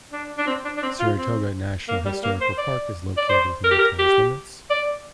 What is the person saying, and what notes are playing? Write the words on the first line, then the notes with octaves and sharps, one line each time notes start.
Saratoga National Historical Park is located within the town's limits.
D4
D4
C4
D4
D4
C4
F4
C4
A#3
G3
A#3
C5
D5
D5
C5
A#4
G4
A#4
G4
D5